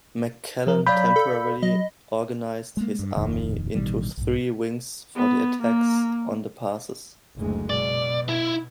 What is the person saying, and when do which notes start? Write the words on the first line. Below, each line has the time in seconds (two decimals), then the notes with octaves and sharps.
McClellan temporarily organized his army into three wings for the attacks on the passes.
0.67 F3 A#4
0.86 F#3 D5 F5 B5 G6
1.16 A4
1.63 F#3 D#5
2.77 G#3 A#3
2.99 G2
3.16 D1 F2 A#2 D#3
3.75 A1 B2 D#3 G3
4.17 B1 G#2
5.16 B3
5.63 A#3
7.35 F#1 D2 G#3
7.70 B2 D5
8.29 E4